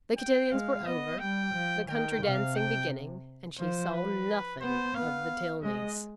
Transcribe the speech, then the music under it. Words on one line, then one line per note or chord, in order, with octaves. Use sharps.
The cotillions were over, the country-dancing beginning, and she saw nothing of the Tilneys.
G5
G#3 F5
B3 D#5
G3 G5
F3
D#3 G5
C3 F5
G5
F3 C5
B4
B3 C5
B3 F5
G#3 D#5